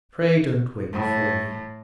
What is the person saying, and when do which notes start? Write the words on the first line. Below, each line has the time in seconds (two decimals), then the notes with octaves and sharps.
Pray, don't wait for me.
0.93 A2